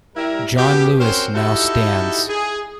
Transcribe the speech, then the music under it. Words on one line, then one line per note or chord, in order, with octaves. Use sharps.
John Lewis now stands.
G3 E4 A#4
B2 G4
C4 C#4 F#4 A#4 C5
D#4 E4 F#4 G4 A4
G#4